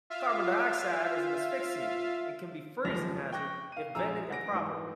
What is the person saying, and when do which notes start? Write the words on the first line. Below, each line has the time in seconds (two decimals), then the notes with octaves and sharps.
Carbon dioxide is an asphyxiant and can be a freezing hazard if vented improperly.
0.10 F4 E5 F5
2.84 F#1 D#2 F3 G#3 A#6 F7
3.32 G5 C#6 F#6 A#6
3.72 F5 D#7
3.95 A#1 G#4 A#5 E6
4.30 F#5 G#5 A#6 D7
4.52 G#2 E3